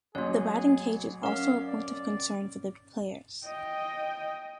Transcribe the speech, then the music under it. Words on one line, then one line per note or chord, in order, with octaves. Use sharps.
The batting cage is also a point of concern for the players.
A1 F#3 A#3 G#4 C#5
C#4 A#4 F5 F#5
D5
D#5 G5